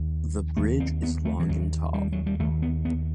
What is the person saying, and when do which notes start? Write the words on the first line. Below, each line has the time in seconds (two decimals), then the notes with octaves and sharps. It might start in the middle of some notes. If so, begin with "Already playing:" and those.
The bridge is long and tall.
Already playing: D#2
0.57 D#2 A3
0.80 C4
1.03 B3
1.25 A3
1.40 E3
1.49 D#2 F#3
1.94 G3
2.13 F#3
2.26 G3
2.40 D#2 A3
2.62 B3
2.85 B3